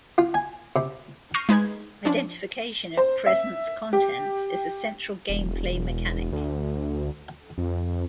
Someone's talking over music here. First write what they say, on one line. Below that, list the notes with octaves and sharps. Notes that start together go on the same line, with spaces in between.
Identification of presents' contents is a central gameplay mechanic.
F4
G#5
C3
C#6 F6 G6 A#6 C7 D#7
G#3 D#4 B4 G#6
F3 C#4 D4
C5
E5
G4
E1
D2
F2